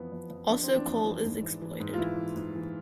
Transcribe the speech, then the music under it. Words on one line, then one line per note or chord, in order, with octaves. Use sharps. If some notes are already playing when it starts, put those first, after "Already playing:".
Also coal is exploited.
Already playing: F2 E3 B3
F2
F2
F2 D4
C4
E3
D4
F2
E3
G#2
E3
E3
G#2
F4
E3 E4
E3
G#2
E3